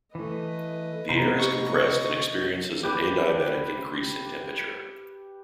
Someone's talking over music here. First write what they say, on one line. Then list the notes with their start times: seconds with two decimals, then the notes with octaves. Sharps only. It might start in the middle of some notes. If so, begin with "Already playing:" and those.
The air is compressed and experiences an adiabatic increase in temperature.
0.15 E3 A3 B4 D#5
1.09 C3 A#3 B3 C5 A#5 B5
1.40 D#5 C#6
2.83 G4 B4 D6